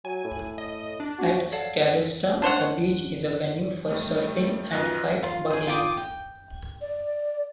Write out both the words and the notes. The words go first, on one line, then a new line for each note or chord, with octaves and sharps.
At Scarista the beach is a venue for surfing and kite buggying.
F#3 G#5
A2
D#5
D4
F#4
A4 C#5 D5 F5 F#5 A5
D4 C5 C#5 F#5
D#3 G3 A3
F#2 F4 B4 D#5 F#6 A#6
F4 C6
G#4 C5
F4 G5 D6 D#6
G5
D5